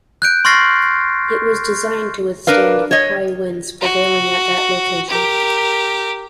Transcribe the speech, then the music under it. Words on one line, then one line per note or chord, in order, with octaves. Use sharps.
It was designed to withstand the high winds prevailing at that location.
F#6 G6 D7
C6 C#6 F6 A6 A#6 C7
D4 A#4 B4 F5
C#5 D#5
F#4
G4 A#4